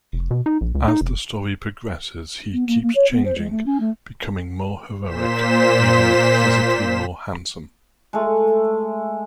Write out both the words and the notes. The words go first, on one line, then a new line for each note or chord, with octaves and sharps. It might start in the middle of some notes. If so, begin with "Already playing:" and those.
As the story progresses he keeps changing, becoming more heroic, even physically more handsome.
F1
B2
D#4
A#1
C#2
D#4
F1
B3
A#3
A#3
C#5
B3
C5
G#3
A3
C#4
A3
A#2 C5 B6 E7
G#3 A3